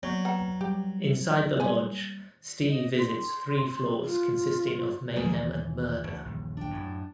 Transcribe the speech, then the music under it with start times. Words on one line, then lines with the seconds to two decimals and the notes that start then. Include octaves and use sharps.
Inside the Lodge Steve visits three floors consisting of mayhem and murder.
0.03 F#3 A#3 B3 C#5 D5 C#6
0.25 B4 F#5 G5 A#5
0.61 G3 G4
1.60 G3 G#3 A#3 C#4 G#5
2.68 D#5
2.99 C6
4.05 F4
5.16 D#2 C#3 F3 G#3 A#3
5.32 E3
6.04 D2 C#3
6.25 A#1 D#2
6.57 D4 G5
6.71 F#2 A2